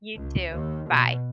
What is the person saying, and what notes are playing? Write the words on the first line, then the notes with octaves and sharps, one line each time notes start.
You too. Bye.
C#2
D#2
B2